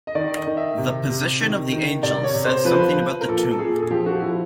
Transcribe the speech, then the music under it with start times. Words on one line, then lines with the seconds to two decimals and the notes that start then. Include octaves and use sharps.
The position of the angels says something about the tomb.
0.07 D#5
0.15 D#3 D5
0.37 D#5
0.47 D#3
0.57 E5
0.78 C3
1.09 C3
1.40 D#3
1.72 D#3
2.03 C3 D5
2.24 C#5
2.34 C3
2.45 C5
2.65 F3 B4
2.73 C5
2.80 B4
2.97 F3
3.21 A#4
3.28 A#2 A4
3.51 A4
3.59 A#2 G#4
3.75 A4
3.82 G#4
3.90 F3 G4
4.06 F#4
4.22 F3 E4